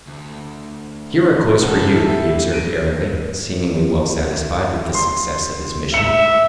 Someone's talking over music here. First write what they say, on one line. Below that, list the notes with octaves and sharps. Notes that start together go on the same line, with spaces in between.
"Here are clothes for you," he observed airily, seeming well satisfied with the success of his mission.
D2
E2 C#3 E3 A4
E4 G4 E5
A#6 D7 D#7
C6
E5 C#7 E7